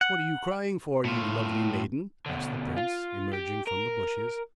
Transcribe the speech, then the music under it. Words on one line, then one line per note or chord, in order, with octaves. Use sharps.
"What are you crying for, you lovely maiden?" asked the prince, emerging from the bushes.
F#5
A2 F4
B2 D3
F4
G4
A#4